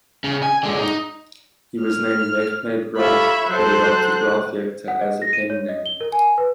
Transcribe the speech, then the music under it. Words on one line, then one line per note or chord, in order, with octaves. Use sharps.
He was named Mehmed Rauf but adopted Rauf Yekta as a pen name.
C#3
G#5
D3 G#3
D#4
F6
F4 G4 A4 C#5 E5 B5
F#3 A4 C5 F#6
F#5
D#5
A#6
D#7
C#5
D#5
G7
A#4
G#5
B4